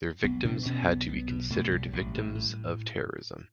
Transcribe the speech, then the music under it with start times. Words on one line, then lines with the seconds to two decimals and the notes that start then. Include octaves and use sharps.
Their victims had to be considered victims of terrorism.
0.24 B1 B3
0.45 B2 D4
0.66 B2 C#4
0.87 B1 B3
1.09 B1 B3
1.29 B2
1.50 B2 A3
1.71 B1 G3
1.93 A1
2.14 A2
2.35 A2